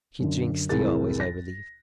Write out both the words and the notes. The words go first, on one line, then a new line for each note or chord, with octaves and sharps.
She drinks tea always, I believe.
F#2 D3
C2 A2 E3 G#4 A#4 A6
A#6